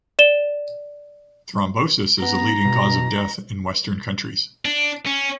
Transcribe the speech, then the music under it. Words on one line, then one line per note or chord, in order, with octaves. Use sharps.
Thrombosis is the leading cause of death in western countries.
D5 E7 G7
B3 A#5
B2
D4
C#4